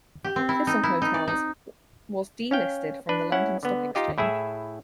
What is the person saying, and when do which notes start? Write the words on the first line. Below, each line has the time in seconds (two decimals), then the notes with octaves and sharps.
Thistle Hotels was delisted from the London Stock Exchange.
0.24 G4
0.36 C4
0.49 E4
0.67 D#4
0.83 E4
1.02 D#4
1.14 D5
1.28 D#4
2.51 C#4 F5 G5
3.09 D4 B4
3.32 C#4 E4 F#5
3.63 D3 B3
3.95 D#4 F4 G4 D#5
4.18 A2 E4 G#4 E5